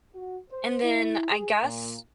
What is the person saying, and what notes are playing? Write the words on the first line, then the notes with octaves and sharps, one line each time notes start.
and then I guess
F#4
C5
E4
G#4
A#2